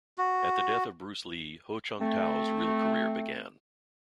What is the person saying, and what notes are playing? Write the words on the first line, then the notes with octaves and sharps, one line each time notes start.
At the death of Bruce Lee, Ho Chung-tao's real career began.
F#4
A3 C4